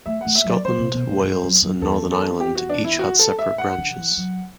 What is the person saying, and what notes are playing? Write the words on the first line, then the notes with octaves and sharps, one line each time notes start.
Scotland, Wales and Northern Ireland each had separate branches.
A3 E5
A3 F#5
E5
F#3
D5
F#3 C5
C3
B2
A2
G2
F#2
F#2
E2 A4
A4
G4
F#4
D4
E4
F#4
A4
E5
F#5
D3
E3
F#3